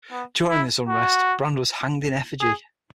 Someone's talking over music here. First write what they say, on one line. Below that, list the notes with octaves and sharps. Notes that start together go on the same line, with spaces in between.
During this unrest, Brand was hanged in effigy.
B3
E4
F#4
G#4